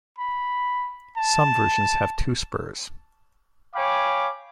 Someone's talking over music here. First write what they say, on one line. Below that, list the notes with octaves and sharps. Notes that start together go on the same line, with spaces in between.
Some versions have two spurs.
B5
A5
C#5 F5 G5 G#5 B5 D6